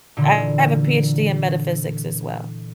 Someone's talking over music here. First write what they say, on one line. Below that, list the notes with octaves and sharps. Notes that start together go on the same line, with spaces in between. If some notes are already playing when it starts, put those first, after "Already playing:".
I have a PhD in metaphysics, as well.
A#2 D3 E3